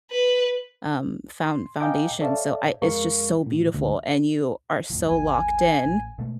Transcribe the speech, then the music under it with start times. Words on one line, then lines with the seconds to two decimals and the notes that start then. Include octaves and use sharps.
um, found foundation. So I it's just so beautiful, and you are so locked in.
0.11 B4
1.41 C6
1.80 D#5 F5 G5 G#5 A#5 D6
2.21 A4 C#5 D5 E5 F5 A5
2.82 F2 G#3 A#4 F5 C#6
3.46 A2 D#3
3.74 D2
4.90 E2 A2 F3
5.08 G#1 D#2 F3 G#5
5.85 A1
6.18 B2 G#3 A3